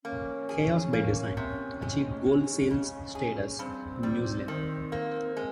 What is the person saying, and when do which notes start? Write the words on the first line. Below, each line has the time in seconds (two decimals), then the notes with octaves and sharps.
"Chaos by Design" achieved Gold sales status in New Zealand.
0.04 A#3 C#4
0.49 G#4
0.93 A#3
1.37 C3
1.82 G#3
2.26 G#3
2.71 C#3
3.15 G#4
3.59 G2 C4
4.03 G3
4.48 D#3
4.92 A#3
5.36 G#3 C4